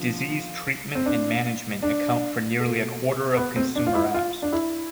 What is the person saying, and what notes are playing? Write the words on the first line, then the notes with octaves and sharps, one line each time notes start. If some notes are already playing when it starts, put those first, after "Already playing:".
Disease treatment and management account for nearly a quarter of consumer apps.
Already playing: D3 F3
C4
D4
D4
B2 A3
B3
C4
D4
F4
E4
F4
D4
E4